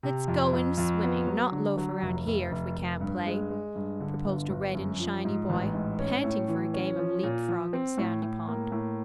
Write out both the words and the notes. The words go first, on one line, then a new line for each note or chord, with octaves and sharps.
"Let's go in swimming, not loaf round here, if we can't play," proposed a red and shiny boy, panting for a game of leap-frog in Sandy pond.
C3
F2
F2
F2
B3
F#3
D3
F#3
F1
F1
F1
F1
G2
G#3
G#3
G2
D3
G1
G1
F#2
F3
G#2
A1
G#2
C#4
A2
E3
C#4
F3
A#2
F3
C4
A2
A2
A#3
A2